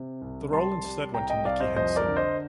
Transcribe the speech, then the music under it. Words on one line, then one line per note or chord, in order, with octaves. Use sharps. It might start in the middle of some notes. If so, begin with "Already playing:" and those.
The role instead went to Nicky Henson.
Already playing: C3
C2
G3 A5 C6
G3
C2 G5 A#5
D#5 G5
C2 D5 F5
C5 D#5
F2 C5 D#5
A#4 D5
D3
C5 D#5